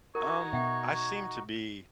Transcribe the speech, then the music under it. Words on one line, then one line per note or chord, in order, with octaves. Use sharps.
Um, I seem to be,
D#4 F#4 A#4 C#5
B2 E5 F#5 G5